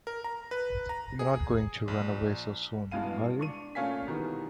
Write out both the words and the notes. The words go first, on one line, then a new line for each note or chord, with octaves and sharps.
You are not going to run away so soon, are you?
A#4
A#5
B4
A#5
G#4
A#1
G2 B2 G#3 E4 F5 D#7
D4 C#6 D#7
A#2 A3 C#4 F5 G#5 B6
B2 D#3 E3 G3